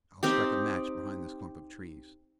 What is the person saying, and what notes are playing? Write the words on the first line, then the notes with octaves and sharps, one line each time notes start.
I'll strike a match behind this clump of trees.
C4 D#4 G4